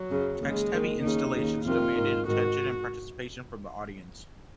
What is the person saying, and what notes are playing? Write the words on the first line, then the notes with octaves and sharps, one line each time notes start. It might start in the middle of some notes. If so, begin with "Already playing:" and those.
Text-heavy Installations demanded attention and participation from the audience.
Already playing: F#3
F#2 C#3
D#2 C#3 G#3
D#2 D#3
D#2 C#3 D#4
D#2 C#3
F2 C3 D#3 F4
G#2 D#3
G#2 D#3 F#4